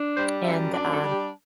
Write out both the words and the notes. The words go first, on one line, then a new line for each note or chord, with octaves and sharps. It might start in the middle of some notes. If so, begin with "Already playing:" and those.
and, um
Already playing: D4
G3 C5
F#2 E5
D4 D5
A4
G3
G4